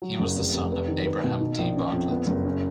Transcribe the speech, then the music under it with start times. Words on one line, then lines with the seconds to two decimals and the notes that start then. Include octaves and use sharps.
He was the son of Abraham Dee Bartlett.
0.02 F#3
0.20 F#1
0.36 F1
0.54 F1
0.71 B4
0.88 D#3
1.05 B4
1.24 B2
1.40 D#4
1.59 A#1
1.75 C#4
1.92 F2
2.11 B3
2.27 F#1
2.45 C#4